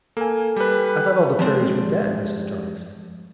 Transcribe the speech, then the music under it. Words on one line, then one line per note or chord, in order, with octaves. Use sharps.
"I thought all the fairies were dead," Mrs. Darling said.
A#3 A4 G#5
G3 B4
F3 G3 G#3 C4 D4